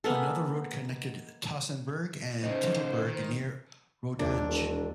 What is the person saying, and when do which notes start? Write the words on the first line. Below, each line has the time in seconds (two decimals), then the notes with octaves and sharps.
Another road connected Tossenberg to Titelberg near Rodange.
0.04 G#3 A#3 B3 A4
2.43 C#3 D#4 C5
3.07 D#3
4.19 A#1 D#2 D4
4.49 E1